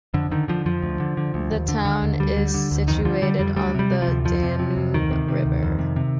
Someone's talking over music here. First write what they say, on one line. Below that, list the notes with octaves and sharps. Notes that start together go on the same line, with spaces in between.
The town is situated on the Danube river.
F2 D3
D3 D#3
D3 F3
F2 F3
D2
D3
D3
D2
D#2
D3
D3
D#2
D2 G3
D3
D3
D2
F2 D#3
D3 F3
D3 G3
F2 G3
D2 G3
C3 G3
C3
F3
D2
F2 F3
C3
C3
F2
D2 D#3
C3
C3
D2
F2
C3
C3